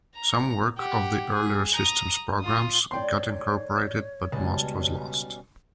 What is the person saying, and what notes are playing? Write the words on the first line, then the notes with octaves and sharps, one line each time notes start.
Some work of the earlier systems programs got incorporated but most was lost.
A#5
G4 F#5
G#4
A#5 D#6
F4 D#6
D#3 A3 C#5 D5 G5 C6
C#2 B2 G3 C#4 D#5 A5